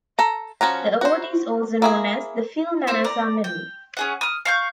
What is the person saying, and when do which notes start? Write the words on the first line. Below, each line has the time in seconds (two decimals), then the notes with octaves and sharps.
The award is also known as the Phil Manassa Medal.
0.19 A4 A#5
0.61 F3 C#4 F#4 A#5
1.01 F#4 C5
1.82 A#3 E4 G#4
2.87 C4 E4 C5
3.04 D5 A#5
3.44 G5
3.97 C#4 G#4 F#5
4.21 D#6 F6
4.45 F5 C#6 G6